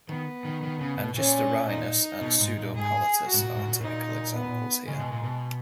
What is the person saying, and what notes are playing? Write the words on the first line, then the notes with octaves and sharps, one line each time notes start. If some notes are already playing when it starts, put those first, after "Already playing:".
"Angistorhinus" and "Pseudopalatus" are typical examples here.
D#3 B3
D#3
D#3
C#3
B2
A#2 C#4
D#4
B2
G#2
A#2
G#2 G#4
F#4
G#2
A#2
G#2
A#2
A#2 D#4
B3
C#3 G#3
B2
A#2
B2